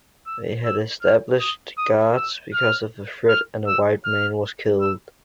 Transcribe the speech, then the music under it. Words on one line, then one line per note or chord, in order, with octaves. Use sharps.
They had established guards because of the threat, and a white man was killed.
E6
E6
F6
D#6
D#6
E6
F6
F6
E6
F6
E6